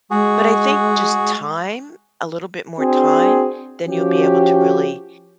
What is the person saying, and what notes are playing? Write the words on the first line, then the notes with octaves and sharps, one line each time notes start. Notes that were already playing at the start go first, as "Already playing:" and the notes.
But I think just time, a little bit more time, then you'll be able to really
G#3 F#4 G#4
C4 D4 F#4 G#4
F3 C#4 F#4 G4